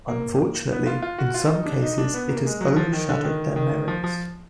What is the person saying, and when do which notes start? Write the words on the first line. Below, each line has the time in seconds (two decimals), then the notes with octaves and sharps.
Unfortunately, in some cases it has overshadowed their merits.
0.08 A#3
0.72 B3
0.86 F4
1.02 F4
1.18 F#4
1.34 F4
1.50 D#4
1.66 D4
1.82 D#4
1.98 D4
2.14 B3
2.29 A#3
2.46 G#3
2.61 F#3
2.76 F3
2.93 D#3
3.09 D3
3.24 D#3
3.56 D#3
3.88 F3
4.04 F3